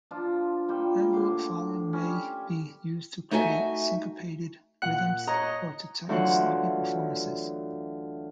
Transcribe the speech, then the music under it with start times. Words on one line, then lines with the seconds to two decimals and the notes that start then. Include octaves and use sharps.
Envelope following may be used to create syncopated rhythms or to tighten sloppy performances.
0.11 F3 D4 F4
0.68 A#2 G3 G5
1.13 A2 D3 C6 D6
1.93 G3 C#4 G4
3.31 A3 D#4 E4 F#4 E5 G#5
4.82 A#2 F#5 F#6 C#7
5.28 C#5 D#5 A#5
6.09 D2 E3 F#3 F4 F#5